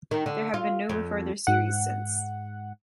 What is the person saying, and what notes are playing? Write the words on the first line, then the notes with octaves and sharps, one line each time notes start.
There have been no further series since.
D#3
D3
F4
F2
G#2 F#5